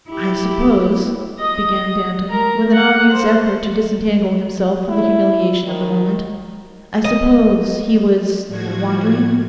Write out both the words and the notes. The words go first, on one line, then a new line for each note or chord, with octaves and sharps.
'I suppose,' began Danton, with an obvious effort to disentangle himself from the humiliation of the moment, 'I suppose he was--wandering?'
E4 G4
D#5 D#6
A#4 A#5
F#5
C5
E4
D#3
D#5
A2 F3 F#4 G#6